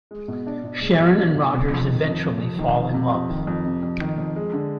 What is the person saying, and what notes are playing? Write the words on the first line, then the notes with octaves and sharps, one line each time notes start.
Sharon and Rogers eventually fall in love.
G#3
B2
D4
B2
G#3
B2
D4
B2
C3
F2
D#3
F2
C3
F2
D#3
F2
C3
F2
D#3
F2
C3
F2
D#3
F2
G#3
D3